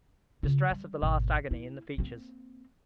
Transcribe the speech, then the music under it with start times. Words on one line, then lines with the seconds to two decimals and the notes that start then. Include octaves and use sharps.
The distress of the last agony in the features.
0.43 C#3 F4
0.70 G3
1.03 G#1 B2
1.51 A#3 E4
1.98 A#3 C4